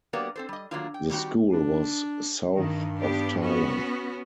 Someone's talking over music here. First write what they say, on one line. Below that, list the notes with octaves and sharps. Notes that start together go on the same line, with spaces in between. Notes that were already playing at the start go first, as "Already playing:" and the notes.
The school was south of Tyler.
F#3 A#3 B3 G4 A#4 D5
C4 A4 C5
G3 D#5
D#3 F#3 A3 A#3 D4 F4
G5
D3 D#3 G3 C4 F#4 G5
D4
G2 D#3
B3 D4 G4
B3 C#4 F#4